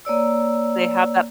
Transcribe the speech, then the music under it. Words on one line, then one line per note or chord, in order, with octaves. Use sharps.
they have that
A#3 C#5 D5 E6